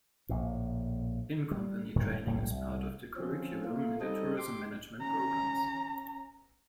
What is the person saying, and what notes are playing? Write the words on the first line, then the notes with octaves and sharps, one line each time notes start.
In-company training is part of the curriculum in the tourism management programmes.
A#1 A2
G3
D1 G2 A#2 D#3
F1 B1 A2 G3
C2
F3 C4 C#4
A3 A#3 F4
G3 C4 D#4 A4 D#5
G4 C6 D6
C#4 A#5